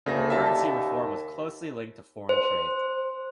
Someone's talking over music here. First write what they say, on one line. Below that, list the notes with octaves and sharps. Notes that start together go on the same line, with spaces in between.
The currency reform was closely linked to foreign trade.
D2 C#3 A#3 A#6
D#2 E5 A5
C5